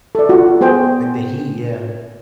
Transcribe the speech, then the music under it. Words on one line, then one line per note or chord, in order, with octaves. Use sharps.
Like the heat, yeah.
A4 D5
F4 F#4
B3 G#4 C5 G5